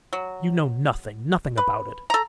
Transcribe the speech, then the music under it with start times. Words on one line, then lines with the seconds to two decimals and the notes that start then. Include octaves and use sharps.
You know nothing, nothing about it....
0.13 F#3
1.58 B4
2.10 A4 A#5